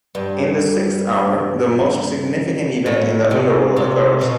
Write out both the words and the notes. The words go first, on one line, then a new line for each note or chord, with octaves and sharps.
In the sixth hour the most significant event in the underworld occurs.
G2
A2
C3
C3
B2